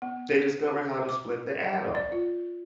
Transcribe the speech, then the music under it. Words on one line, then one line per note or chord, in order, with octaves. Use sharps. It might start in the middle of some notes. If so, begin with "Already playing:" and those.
they discovered how to split the atom
B3
F#4
D6
D5
F4